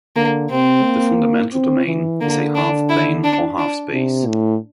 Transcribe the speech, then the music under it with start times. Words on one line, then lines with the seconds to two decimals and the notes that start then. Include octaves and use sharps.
The fundamental domain is a half-plane or half-space.
0.16 D3 A#3
0.50 C3 C4
0.84 A#3
1.53 C4
1.87 E3
2.21 D3 A#3
2.55 D4
2.89 E4
3.24 D4
3.58 D4
3.93 C3
4.27 A2